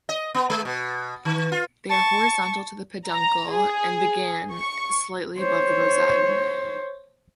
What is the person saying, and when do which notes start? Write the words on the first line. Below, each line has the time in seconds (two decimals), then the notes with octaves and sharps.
They are horizontal to the peduncle and begin slightly above the rosette.
0.09 D#5
0.35 B3
0.50 G#3
0.65 B2
1.25 D#3
1.52 F4
1.89 A5 C#6
3.07 A#5
3.51 G#4
4.53 C#6
5.39 C5 C#5